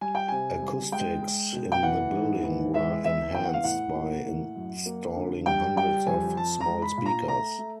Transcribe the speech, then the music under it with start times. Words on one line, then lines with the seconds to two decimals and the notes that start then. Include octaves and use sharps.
Acoustics in the building were enhanced by installing hundreds of small speakers.
0.01 G3 G#5
0.15 G5
0.28 C3 G#5
0.62 G3
0.92 G#3 G5
1.23 G#3
1.53 B2
1.72 G5
1.83 E3 F#5
2.13 G#2
2.43 E3
2.74 G#3 E5
3.04 E2 E5
3.35 E2 G5
3.44 F#5
3.54 F5
3.64 A2 F#5
3.95 A#3
4.25 A2
4.56 F#2
4.86 A#3
5.16 D3
5.46 G3 G5
5.76 G3 G5
6.07 F2 G#5
6.37 F3 A5
6.61 A#5
6.68 G#3
6.82 B5
6.97 A#2
7.06 A#5
7.28 A3 A#5
7.59 A3